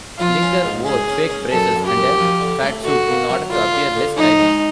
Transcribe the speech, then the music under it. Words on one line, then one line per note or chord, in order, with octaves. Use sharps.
Linker wore fake braces and a fatsuit in order to appear less stylish.
F3 F4
C#4
G#2
C#4 G#4
C#4
C#4
F#2 A4
F#2
G4
F#2
F3
D3
A3
D3 F#4
A#3
F#3
D3 F4
D3
D3
F3 D#4
G#3